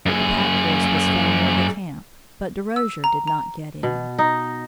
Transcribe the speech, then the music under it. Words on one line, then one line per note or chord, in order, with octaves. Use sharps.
The pack horse was found near the camp, but Derosier did not get in.
F#2 G#4
E6
A#5
A#5
B2
D#4